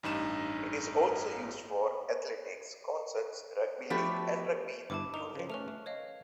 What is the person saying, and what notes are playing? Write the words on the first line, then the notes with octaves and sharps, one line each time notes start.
It is also used for athletics, concerts, rugby league and rugby union.
A1 G2 D#4 E7
F3 A3 B3 D4 F#4 G4
G1 G2 E4 A5 D6
D#4 A#4 F7
C#3 F3
A3 C#4 B4 F6 F7
A3
C#5 D#5 F5